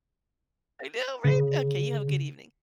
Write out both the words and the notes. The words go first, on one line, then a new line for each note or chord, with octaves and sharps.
I know, right? Okay, you have a good evening.
C#3